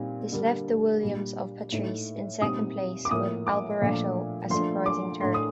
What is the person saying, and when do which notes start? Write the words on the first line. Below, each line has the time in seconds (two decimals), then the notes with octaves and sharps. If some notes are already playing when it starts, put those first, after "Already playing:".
This left the Williams of Patrese in second place with Alboreto a surprising third.
Already playing: A#2 G3 C4 D#4
0.32 D3 G3 A#3 D4
1.02 A#2 G3 D4
1.72 A2 A3 D#4
2.41 A#2 G3 C4 D#4 D#6
3.05 D6
3.11 A2 F3 A#3 D#6
3.47 D6
3.81 A#2 F3 A3 D4
4.50 F3 A3 D4 C6
4.86 D6
5.20 A2 A3 D4 C6
5.34 D#6